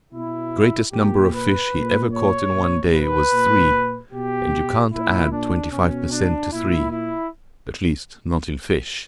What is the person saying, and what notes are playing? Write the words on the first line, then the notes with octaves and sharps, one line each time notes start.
The greatest number of fish he ever caught in one day was three, and you can't add twenty-five per cent. to three--at least, not in fish.
B2 E4
A#2 G4
B4
A#2
C#5
A#2
B4
A#2
B2 G4
A#2 E4
D4
B2 C#4
D4
A#2 E4
E4